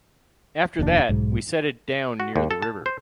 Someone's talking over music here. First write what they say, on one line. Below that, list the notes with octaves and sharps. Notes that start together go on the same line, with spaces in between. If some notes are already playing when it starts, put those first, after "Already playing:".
After that, we set it down near the river.
F1 D#2 A#2 D4
B1 G#2
F#4
D#2
A4
A5
C5